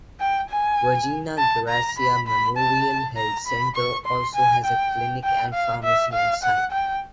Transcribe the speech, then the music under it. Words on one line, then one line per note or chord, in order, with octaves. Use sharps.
Virginia Garcia Memorial Health Center also has a clinic and pharmacy on site.
G5
G#5
A5
A#5
B5
B5
A5
A#5
B5
C#6
C6
G#5
G5
G5
F5
E5
F5
F#5
G5